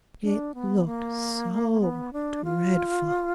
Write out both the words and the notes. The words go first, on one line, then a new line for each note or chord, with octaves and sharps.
It looked so dreadful.
D4
B3
A#3
B3
D4
F4